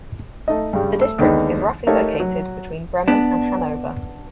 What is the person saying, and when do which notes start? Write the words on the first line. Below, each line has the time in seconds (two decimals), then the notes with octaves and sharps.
The district is roughly located between Bremen and Hanover.
0.48 A3 D#4 D#5
0.73 G2 C#3 G3
0.99 A3 E6
1.18 D#2 D3 D#3 G#3 B3 D#4
1.87 A3 D#4 G4 A#4 C#5 F5
2.20 F#3
3.08 B3 D4